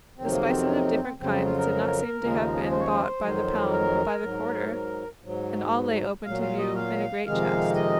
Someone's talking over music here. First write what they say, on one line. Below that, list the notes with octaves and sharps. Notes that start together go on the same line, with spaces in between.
The spices of different kinds did not seem to have been bought by the pound but by the quarter, and all lay open to view in a great chest.
F2 C3 D#3 F#3 C4
A#3
C4
F2 C#3 F#3 C4
C4
F4
A#4
D#2 C#3 F3 G#3
C5
C#5
C5
F2 D#3 F#3
A#4
G#2 F#3
G#2 F#3
A#2 F#3 F5
F5
D#5
F5
F2 C3 D#3 G#3 F5
D#5